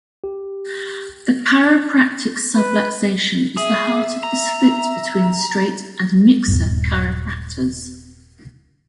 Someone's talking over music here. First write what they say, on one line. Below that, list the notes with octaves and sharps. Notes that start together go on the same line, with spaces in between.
The chiropractic subluxation is the heart of the split between "straight" and "mixer" chiropractors.
G4
B4
G#4 E5
A#5
D#1 G#1 G2